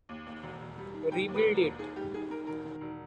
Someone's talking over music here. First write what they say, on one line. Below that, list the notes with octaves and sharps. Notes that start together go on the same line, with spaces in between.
Rebuild it!
D#2
D#2
E1
E1
G3
D#3
G3 G5
D#2
B4
E1
A#4
D#2
D#3 G#4
G3 G4
D#3 G#4
D#3 A#4
E1 A#4
D#3
E1